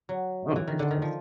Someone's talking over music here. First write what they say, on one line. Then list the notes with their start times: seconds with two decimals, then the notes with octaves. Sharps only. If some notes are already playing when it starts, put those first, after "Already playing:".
Oh, interesting.
0.09 F#3
0.56 E3
0.67 D#3
0.79 D3
0.91 D#3
1.02 F3